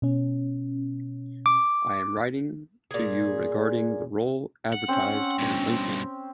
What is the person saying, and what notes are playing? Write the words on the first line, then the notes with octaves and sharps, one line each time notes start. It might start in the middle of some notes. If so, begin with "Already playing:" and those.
I am writing to you regarding the role advertised on LinkedIn.
B2 C#4
D6
A#2 G#4
F#5
C4 C#4
G2 B2